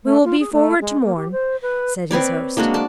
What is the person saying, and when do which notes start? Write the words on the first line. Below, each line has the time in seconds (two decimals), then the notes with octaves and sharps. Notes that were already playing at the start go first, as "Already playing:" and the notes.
We will be forward to-morn, said his host.
0.04 A3
0.24 F4
0.40 G#4
0.52 A3
0.81 G#3
1.04 A#3
1.16 G4
1.31 C5
1.62 B4
2.11 C4 B4 C#5 D5
2.57 G#3 A#3 D4 F#4
2.74 D5 A5